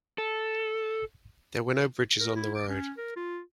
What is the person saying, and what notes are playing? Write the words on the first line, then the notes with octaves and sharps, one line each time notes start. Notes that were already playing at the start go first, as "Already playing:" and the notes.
There were no bridges on the road.
A4
A#4
E4
D6
C#4
A#4
F4